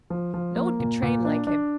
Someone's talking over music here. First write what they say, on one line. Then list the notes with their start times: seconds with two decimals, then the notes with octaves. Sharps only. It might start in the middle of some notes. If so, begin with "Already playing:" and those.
No one could train like him.
0.10 F3
0.34 F3
0.55 A#3
0.79 A#2
1.02 A#2
1.25 D4
1.47 D4